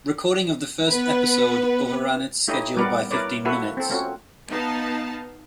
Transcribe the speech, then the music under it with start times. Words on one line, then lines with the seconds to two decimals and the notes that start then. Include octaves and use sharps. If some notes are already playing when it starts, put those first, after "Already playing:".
Recording of the first episode overran its schedule by fifteen minutes.
0.89 B3 B4
2.48 A3 D#4 E4 G4 C#5 D#5
2.77 G3 B3 A#4 B4 D5 F#5
3.11 E4 A#4 B4 C#5 D5
3.45 A#3 E4 F#4 A4 B4 E5
3.77 C4 A4
3.90 A3 C4 C#4 F4 F#4
4.48 B3 D#4 B4 F5 A5